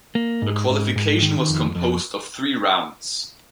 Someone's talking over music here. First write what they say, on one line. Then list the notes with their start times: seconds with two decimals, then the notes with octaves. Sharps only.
The qualification was composed of three rounds.
0.15 A#3
0.42 G#2
0.69 G#2
0.96 G#2
1.22 D#3
1.49 F2
1.75 F2